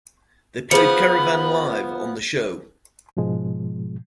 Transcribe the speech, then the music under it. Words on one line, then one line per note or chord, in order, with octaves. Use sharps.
They played Caravan live on the show.
F3 B3 G#4 C5 B5 C#7
G#2 B2 F3 G#3